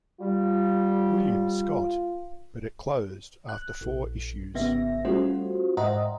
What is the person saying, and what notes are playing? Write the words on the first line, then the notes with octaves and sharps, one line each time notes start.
William Scott; but it closed after four issues.
G3 F4
F#6
A#1
G#1 C#3 B3 E5 A#6
G3 A3 C#4 F4 F#4 C5
G#2 C5 D#5 E5 F#5 A#5